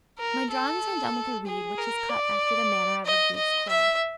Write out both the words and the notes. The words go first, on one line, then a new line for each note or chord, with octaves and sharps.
My drawings are done with a reed which is cut after the manner of a goose quill.
A#4
A4
G#4
A#4
D5
D#5
D#5
E5